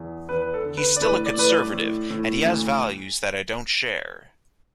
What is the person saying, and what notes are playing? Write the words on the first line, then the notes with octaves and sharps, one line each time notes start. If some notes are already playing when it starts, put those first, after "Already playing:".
He's still a Conservative and he has values that I don't share.
Already playing: E2
E2 B4
B4
A4
D3
B4
D5
A2 B4
D5
A2 B4
D5
A2
A2
D2